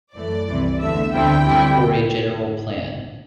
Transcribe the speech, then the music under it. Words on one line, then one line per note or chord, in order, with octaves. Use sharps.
For a general plan.
F#2 E3 A3 D5
C2 C3 E3
E2 D3 A3 E5
D2 D3 G3 C4 E4 G5
G2 D3 G3 C4 E4